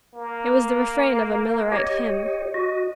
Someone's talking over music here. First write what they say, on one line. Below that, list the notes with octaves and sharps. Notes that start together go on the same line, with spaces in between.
It was the refrain of a Millerite hymn.
A#3
G4 C#5 D#5
F#4 D#5